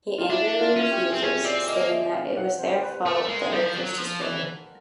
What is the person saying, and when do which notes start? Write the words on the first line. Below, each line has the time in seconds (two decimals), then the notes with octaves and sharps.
He angrily refuses, stating that it was their fault the Earth was destroyed.
0.18 F4
0.29 D4 E4
0.61 F4
0.76 C#4
0.91 G4
1.13 C4
1.22 C#4 G#4
1.44 C4 D5
1.67 A#3 D#5
1.90 E5
2.14 F5
2.37 F#5
2.59 C5
2.83 B4
3.06 A3 A#4
3.28 G#3
3.51 G3 A4
3.63 F3
3.74 F#3
3.97 F3
4.21 E3